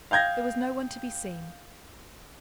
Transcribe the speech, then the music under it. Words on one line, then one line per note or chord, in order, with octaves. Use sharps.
There was no one to be seen.
F5 G5 G6 G#6 A#6